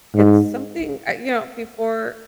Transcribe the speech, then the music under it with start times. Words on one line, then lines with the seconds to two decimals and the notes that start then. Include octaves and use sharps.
it's something, I you know, before
0.15 G#2